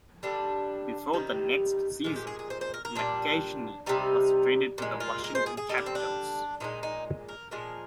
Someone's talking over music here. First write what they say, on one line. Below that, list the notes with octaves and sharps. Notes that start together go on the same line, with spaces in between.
Before the next season, McKechnie was traded to the Washington Capitals.
D3 G3 D4
C3 D#3 G3 D#4
A#2 G#3 F4
G4
G#4
G#4
C5
C5
A#4
A#4
A#2 G3 D4
C3 G3 D#4
A#2 G#3
F4
A#4
C5
G#4
G#4
D3 G3 D#4
D4
C4
D4
A#2 F3 G#3 D#4
D#4
A#4
A#2 F3 G#3 A#4